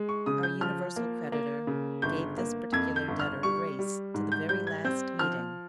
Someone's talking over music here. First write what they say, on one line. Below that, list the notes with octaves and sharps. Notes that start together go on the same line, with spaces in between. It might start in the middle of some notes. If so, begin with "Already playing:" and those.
Our universal creditor gave this particular debtor grace to the very last meeting.
Already playing: G#3
C#6
C#3 D#6
G6
F3 F6
A#3
A#3
C#3
G1 G6
A#3
F2 G#6
G6
G1
F6
G3 C#6
G3
G#2
G6
G3 G6
G#6
C4 G6
F3 F6